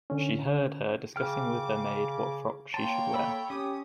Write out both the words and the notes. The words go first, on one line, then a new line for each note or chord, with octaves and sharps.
She heard her discussing with her maid what frock she should wear.
D3 C#4
C#3 G5 D6 F6
A#3 C#5 G5 A5 C6
A4 B5
C#4 G4 D#6